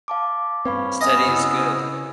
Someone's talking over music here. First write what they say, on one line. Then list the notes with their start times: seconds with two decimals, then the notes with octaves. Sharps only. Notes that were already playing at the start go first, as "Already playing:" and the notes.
Steady is good.
0.08 F5 A5 D6
0.65 G2 C4 B4 C#5 F5 B5
1.01 B3 C#4 D#5
1.27 C#3 E4 E6